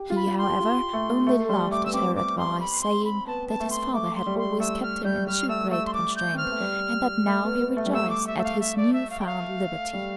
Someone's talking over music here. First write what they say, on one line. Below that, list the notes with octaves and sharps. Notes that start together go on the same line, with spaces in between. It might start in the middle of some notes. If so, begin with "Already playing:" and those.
He, however, only laughed at her advice, saying, that his father had always kept him in too great constraint, and that now he rejoiced at his new-found liberty.
Already playing: G4
F4
B5
F4
C6
G4
F4
A3
A3
G3 C6
A3 D6
B3 E6
C4 D6
D6
C6
B5
C6
B5
B3 A5
A5
A3
C6
A3 D6
C6
G3
C6
A3 E6
F6
G3 G6
G3 F6
A3 E6
A3 E6
C6
D6
G6
C4 F6
B3
A3
G3
A3
B3
B3
A3
G3
A3 E6
D6
E5
A3 E5
F5
E5
D5
E5
F5
G5
F5
G3